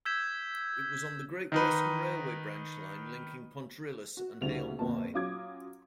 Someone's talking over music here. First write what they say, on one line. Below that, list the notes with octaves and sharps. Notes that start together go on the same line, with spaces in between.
It was on the Great Western Railway branch line linking Pontrilas and Hay-on-Wye.
E6 G6 G#6 B6 E7
D#3 D#4 B4
F#4
D2 C#3 G3 D#4 F7
G1 F2 A#2 A#3 A5
F#3 C#4 F4 D6 D#6 G#6